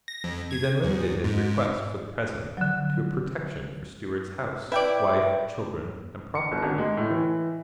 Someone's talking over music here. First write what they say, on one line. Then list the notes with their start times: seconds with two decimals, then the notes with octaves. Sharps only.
He then limited his request, for the present, to a protection for Stewart's house, wife, children, and property.
0.08 A#6
0.24 F2
0.51 G#6
0.84 E2
1.24 G#2
2.57 D3 F3 F#3
4.72 E4 B4 D5 G5
6.35 C#7
6.51 G1
6.63 G#1
6.78 G#3
6.97 A2
7.10 E3